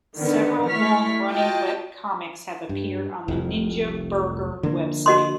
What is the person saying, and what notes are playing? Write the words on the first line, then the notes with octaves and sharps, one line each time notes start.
Several long running web comics have appeared on the Ninja Burger website.
D3 D#3 B3 D4
A3 E4 C#6 F6 B6
F4 F#4 D#5 G5 A5
G2
F1 C2 F2
D3 F3 A#3
F#4 D#5 C6